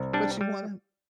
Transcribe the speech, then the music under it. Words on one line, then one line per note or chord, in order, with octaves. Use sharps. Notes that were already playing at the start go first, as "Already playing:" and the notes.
but you wanna
Already playing: C2
G3 D4
G3